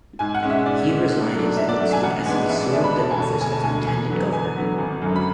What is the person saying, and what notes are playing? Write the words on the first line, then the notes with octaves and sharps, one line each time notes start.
He resigned his Senate seat as he assumed the office of lieutenant governor.
G#2 G#5
F#5
G#3 C#4
E5
G#2 D5
G#3 C#4
G#2
F#3 A3 D4
G#2 E5
D5
F#3 A3 D4 E5
G#5
A1 F#5
G#2 G#3 B3 D4 G#5
A1 E5
D5
G#2 G#3 B3 D4 E5
B5
E1 A5
G#5
D2 D3 A5
E1 G#5
A5
D2 D3 G#5
E2 G#5
D3 F#3 B3
E2 G#5
D3 F#3 B3
G#1
F#2 D3 F#3
B5